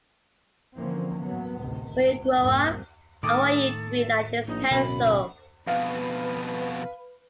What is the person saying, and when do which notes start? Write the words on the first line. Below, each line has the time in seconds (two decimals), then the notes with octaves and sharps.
When you grow up, I want you to be like this pencil.
0.76 D3 E3 F3 A#3 C4 C#4
1.22 A2 F#3 A#3 B3
1.59 A1 D2 C3 D#3
1.96 C#2 G2
2.37 C2 F2 G#2 C3 G3 A#3
3.23 A2 D#3 A4 D6 D#6
4.48 A#1 D#4
4.71 D1 F#2 B2 B3 B5
5.67 F2 B2 B4 F5